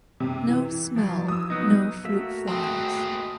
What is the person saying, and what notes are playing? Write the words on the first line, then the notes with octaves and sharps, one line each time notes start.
No smell, no fruit flies!
C3
E3
F3 F#3
D#6 E6
F#3 B3 D#4
A3 A#3 F#4 E5
G#3 C4 A5 D#6